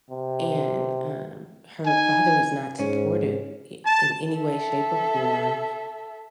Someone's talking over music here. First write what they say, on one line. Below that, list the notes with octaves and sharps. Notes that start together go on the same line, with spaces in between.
And, um, her father was not supportive i in any way, shape, or form.
C3
D#4 G#5
G#2 C#4
A5
A4 E5